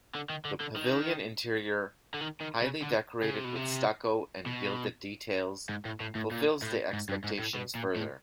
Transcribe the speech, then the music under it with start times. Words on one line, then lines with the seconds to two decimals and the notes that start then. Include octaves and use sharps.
The pavilion interior, highly decorated with stucco and gilded details, fulfils the expectations further.
0.15 D3
0.30 D#3
0.45 D3
0.61 D3
0.76 D#3
2.14 D3
2.20 D#3
2.41 D#3
2.61 C#3
2.82 D3
3.23 C#3
3.34 C3
3.44 B2
3.56 C3
4.46 B2
5.69 G#2
5.85 A2
6.00 A2
6.15 A2
6.31 A#2
6.62 A2
6.93 G#2
7.09 G2
7.24 G#2
7.39 A2
7.55 B2
7.75 A#2
7.96 A2